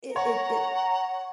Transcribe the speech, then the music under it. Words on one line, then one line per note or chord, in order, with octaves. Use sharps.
it it it
C#5 F#5 A#5